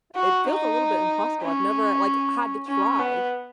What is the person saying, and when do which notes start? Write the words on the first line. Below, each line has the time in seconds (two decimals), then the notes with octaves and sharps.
it feels a little bit impossible. I've never, like, had to try.
0.16 F#4
0.48 D#4
1.42 C#4
2.68 C#4
2.99 B3